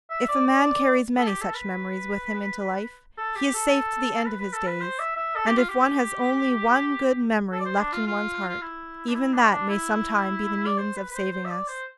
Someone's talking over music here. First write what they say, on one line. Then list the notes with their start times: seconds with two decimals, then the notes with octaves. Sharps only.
If a man carries many such memories with him into life, he is safe to the end of his days, and if one has only one good memory left in one's heart, even that may sometime be the means of saving us.
0.10 E5
0.28 D5
0.46 D5
1.17 A4
1.27 G4
1.41 A4
1.55 B4
3.18 A4
3.36 G4
3.54 A4
4.22 A4
4.26 B4
4.40 B4
4.53 A4
4.67 B4
4.81 C5
4.99 E5
5.16 E5
5.36 A4
5.47 G4
5.58 F4
5.69 G4
7.52 A4
7.60 D5
7.66 C5
7.79 D4
7.93 F4
8.07 F4
8.49 F4
8.61 E4
9.08 D4
9.15 E4
9.33 D4
9.51 D4
9.69 E4
10.66 D5
10.78 C5
10.96 B4
11.10 B4
11.14 C5
11.32 C5
11.45 E5
11.50 D5
11.68 C5